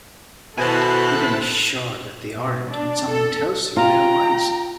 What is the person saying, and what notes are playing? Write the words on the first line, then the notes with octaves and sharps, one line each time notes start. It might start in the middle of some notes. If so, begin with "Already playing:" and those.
You can be sure that they aren't when someone tells you they are wise.
B2 E4 A4 C5 G#5 A5 B5 F#6
B2
D4
A4
F4 G5 A#5